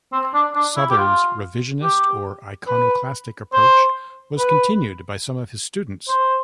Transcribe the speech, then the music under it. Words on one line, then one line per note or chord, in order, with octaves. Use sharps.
Southern's revisionist or iconoclastic approach was continued by some of his students.
C4
D4
D4
E4
G4
F4
G4
B4
C5
B4
C5